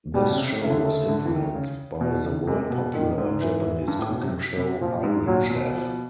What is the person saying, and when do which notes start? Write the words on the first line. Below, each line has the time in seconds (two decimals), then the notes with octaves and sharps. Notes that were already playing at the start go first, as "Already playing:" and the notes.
This show was influenced by the world-popular Japanese cooking show Iron Chef.
0.14 B2 G3
0.30 C#3
0.38 C3
0.61 C#3 A3
0.70 D3
0.79 C#3
1.08 D3
1.25 E3
1.31 D#3
1.55 C#3
2.01 B2
2.24 C#3
2.47 C3 G#3
2.70 B2
2.94 A#2 D#3
3.18 G#2
3.41 E3
3.88 G2
3.99 A2
4.10 B2
4.22 C3
4.57 C3
4.80 A#2 F3
5.03 G#2
5.27 A#2 F#3
5.50 B2
5.73 F3